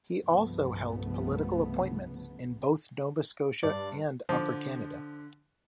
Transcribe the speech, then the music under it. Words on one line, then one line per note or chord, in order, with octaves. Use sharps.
He also held political appointments in both Nova Scotia and Upper Canada.
C2 G2 C#3 F3 A3 B3
G2 D5
D3 F3 D6